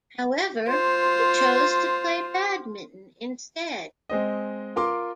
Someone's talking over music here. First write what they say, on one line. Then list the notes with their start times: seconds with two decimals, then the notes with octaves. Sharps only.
However, he chose to play badminton instead.
0.68 F4 C5
4.10 G#3 C4 D#5
4.76 F4 A#4 C6 D6